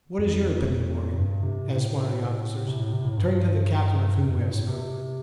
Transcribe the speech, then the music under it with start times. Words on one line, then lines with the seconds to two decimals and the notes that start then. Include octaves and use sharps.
"What is your opinion, Morgan?" asked one of the officers, turning to the captain of whom we have spoken.
0.19 F2
1.19 G2
1.43 C3
1.68 A2
2.68 C3
2.80 A2
2.93 C3
3.05 A2
3.17 G2
4.18 F2
4.34 G2
4.51 A2
4.68 C3